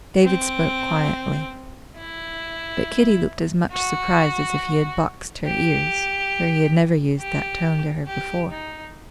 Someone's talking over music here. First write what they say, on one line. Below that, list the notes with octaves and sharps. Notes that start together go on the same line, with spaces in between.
David spoke quietly; but Kitty looked as much surprised as if he had boxed her ears, for he had never used that tone to her before.
C4
E4
F#4
G4
G4
G4
D#4